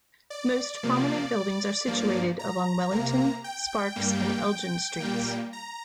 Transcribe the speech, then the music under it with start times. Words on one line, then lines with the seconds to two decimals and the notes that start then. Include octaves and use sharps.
Most prominent buildings are situated along Wellington, Sparks and Elgin streets.
0.30 D5
0.83 C3 F3 A#3
1.87 G2 F3 A#3
2.39 A#5
2.91 C3 A#3
3.44 G5
3.96 G2 G3 A#3
5.00 A#2 G3 A#3
5.53 A#5